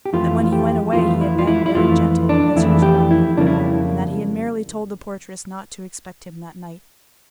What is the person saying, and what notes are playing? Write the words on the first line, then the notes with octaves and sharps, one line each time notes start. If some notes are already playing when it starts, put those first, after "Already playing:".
That when he went away he had been very gentle, as usual, and that he had merely told the portress not to expect him that night.
G4
F2 E3 A3 F4
F4
G4
F2 E3 A3 F4
E4
F4
E4
E4
F2 E3 A3 F4
D4
F2 E3 A3 E4
G4
E4
F2 C#3 G3 A#3 D4
E4